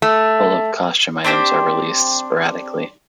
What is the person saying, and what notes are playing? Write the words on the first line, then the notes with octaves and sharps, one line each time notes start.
Pullip Costume items are released sporadically.
A3
C4 D4 G4 C5